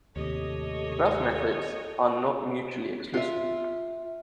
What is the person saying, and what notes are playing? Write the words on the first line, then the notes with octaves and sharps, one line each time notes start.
The above methods are not mutually exclusive.
D#2 A2 C3 G4 A4 C#5 D#5
F4 E5